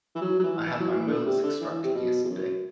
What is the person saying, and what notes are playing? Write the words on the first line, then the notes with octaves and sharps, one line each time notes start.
I had my molars extracted yesterday.
E3
F#3
F#3
E3
E3
F#3
E3
D3
C3
D3
E3
C3
B2
E2
F#2